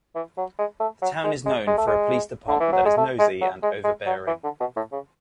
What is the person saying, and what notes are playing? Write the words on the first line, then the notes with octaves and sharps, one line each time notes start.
The town is known for a police department that is nosy and overbearing.
E3
F#3
G#3
A3
F#3
G#3
G#3
G#3
A3
G#3
D3
E3
F#3
G#3
A3
G#3
F#3
G#3
G#3
F#3
E3
D3
B2
A2
C#3